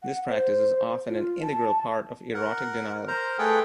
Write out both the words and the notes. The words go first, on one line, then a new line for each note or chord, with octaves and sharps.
This practice is often an integral part of erotic denial.
F#5
C5
F4
A5
A#4 F#5
A#4 C5 A#5
A3 G#4 A4 B4 F#5 G5